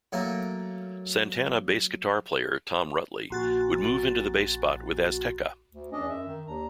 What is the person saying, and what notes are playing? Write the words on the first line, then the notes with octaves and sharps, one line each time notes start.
Santana bass guitar player Tom Rutley would move into the bass spot with Azteca.
F#3 A3 A#3 A#4
A#1 F#4 A6
D2
E2 C#4 D4 D#5
F#2 E5
D#3
D#2 D4 A#5